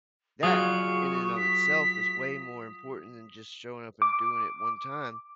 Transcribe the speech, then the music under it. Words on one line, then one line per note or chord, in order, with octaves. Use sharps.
That, in and of itself, is way more important than just showing up and doing it one time.
F#3 F4 G#4 C#6 D#6
B6
D6